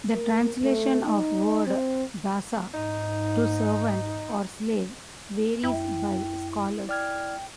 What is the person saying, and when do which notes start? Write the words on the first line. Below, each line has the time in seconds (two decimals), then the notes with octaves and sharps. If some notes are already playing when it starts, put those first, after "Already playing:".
The translation of word "dasa" to servant or slave varies by scholars.
0.14 A#4
0.64 A3
1.06 D#4
1.67 C4
2.74 G#2 D#4
5.63 F#2 E4 G5
6.89 D5 G5 F6 G#6